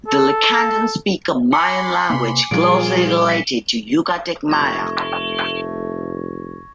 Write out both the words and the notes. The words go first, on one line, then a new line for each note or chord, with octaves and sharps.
The Lacandon speak a Mayan language closely related to Yucatec Maya.
A4
G#5 B5 C6 D6 C#7
C3 A#3
A#2 F3 G3 F4 G#4 D7
B6 C#7
F1 A3 C#6 G#6 A#6